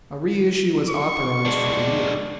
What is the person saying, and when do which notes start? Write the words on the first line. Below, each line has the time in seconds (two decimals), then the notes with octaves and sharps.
A reissue was authorized for a year.
0.88 C#6
1.45 G#3 D4